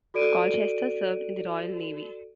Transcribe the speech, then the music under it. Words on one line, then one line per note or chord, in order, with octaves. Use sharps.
Colchester served in the Royal Navy.
F#4 A4 D5 D7 D#7